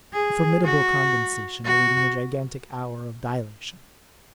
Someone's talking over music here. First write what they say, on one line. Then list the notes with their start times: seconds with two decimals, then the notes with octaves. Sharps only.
A formidable condensation, awaiting the gigantic hour of dilation!
0.13 G#4
0.64 F#4
1.65 F#4